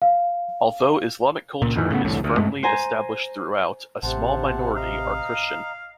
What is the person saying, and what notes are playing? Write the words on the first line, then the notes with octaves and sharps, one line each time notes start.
Although Islamic culture is firmly established throughout, a small minority are Christian.
F5
C#2 A#2
F2 A2 D#3 E3
A2 C#3 B3
C2 F2 A2 D3
D2
G2 G#3 A3
C5 G#5 A#5
A1 C3 C5 F#5 A5
D#5 F5 A#5